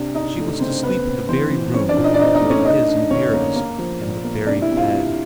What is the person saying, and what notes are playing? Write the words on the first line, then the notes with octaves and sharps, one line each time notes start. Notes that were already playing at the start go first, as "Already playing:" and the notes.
She was to sleep in the very room that had been his and Vera's, in the very bed.
Already playing: C3 D4
D4 D#4 D#5
A3
C#3 C4 C5
B3 C4 B4
C4
E3 C4 C5
E3
C4 C#4 C#5
D4 D5
A#2
D#4 D#5
D5
C4 D#4 D#5
D#4 D#5
A3
C#4 C#5
D4 D#4 D#5
D4
D3 C#4 C#5
A#3
A#3
F3
A#2
A#3
C3 D4 D5
E4 E5
C3
F4 F5
C3